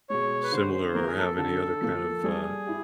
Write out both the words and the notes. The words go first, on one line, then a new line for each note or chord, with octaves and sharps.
similar, or have any other kind of, uh,
B2 G#3 C#5
B4
D3 C5
C5
F3 A#3 A#4
G#4
A4
D3 A4
F3 A#3
G3 G#4
E4 G4